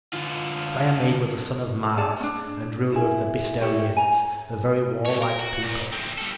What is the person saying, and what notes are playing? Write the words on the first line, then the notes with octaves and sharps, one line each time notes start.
Diomede was a son of Mars and ruler of the Bistonians, a very warlike people.
D3 F4
G#4 C#5 D5 A5
C#4 D4
E4 G#4
E4 G4 C#5
G#5 A#5
G2 C#5
A#4
F#4
A#2
D2 C4
G3 A4